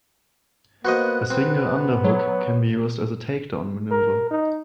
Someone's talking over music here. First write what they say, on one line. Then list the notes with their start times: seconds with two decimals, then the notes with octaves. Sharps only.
A single underhook can be used as a takedown maneuver.
0.85 A#3 B3 F#4 C5 D#5 F#6
1.31 B2 B3 C4
2.04 F#3 C#5
3.91 A#4
4.31 D#4